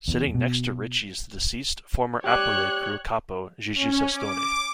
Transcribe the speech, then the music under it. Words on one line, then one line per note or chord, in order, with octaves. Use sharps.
Sitting next to Richie is the deceased, former Aprile Crew capo Gigi Cestone.
E2
B2
G4 C#5 D5 F#6
C#4
D6